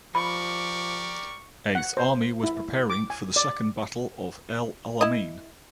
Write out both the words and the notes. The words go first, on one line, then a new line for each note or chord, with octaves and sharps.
Eighth Army was preparing for the Second Battle of El Alamein.
F3 G4 A#4 D5 B5 C#6
F#5
C5
E4
D6
G#5
D5
E4 D#5